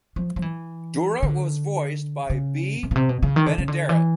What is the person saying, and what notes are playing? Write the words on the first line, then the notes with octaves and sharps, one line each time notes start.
Dora was voiced by Bea Benaderet.
F3
F3
E3
D3
C#3
C3
B2
C3
B2
C#3
D#3
D3
C#3
D3
E3